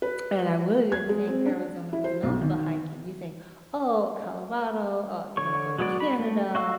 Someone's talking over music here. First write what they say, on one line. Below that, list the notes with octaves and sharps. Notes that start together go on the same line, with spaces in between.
and I really didn't think Arizona was known for hiking. You think, "Oh, Colorado, uh, you wanna go to Canada,"
B4
G#6
G#3
C4
D4
E4
C5
B1
D#3
D3 C#5 C#6
F#3 G#3 B3 F#4 D5
B5
A3
F#4 D#5 F5 C#6 E6